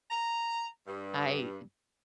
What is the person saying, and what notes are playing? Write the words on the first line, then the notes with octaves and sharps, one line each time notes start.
I, d
A#5
G2